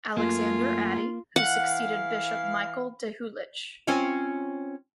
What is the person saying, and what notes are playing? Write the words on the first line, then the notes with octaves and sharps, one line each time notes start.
Alexander Atty, who succeeded Bishop Michael Dahulich.
F#2 A3 A#3 F4 G#5
E3 F5 F#5
C4 C#4 F4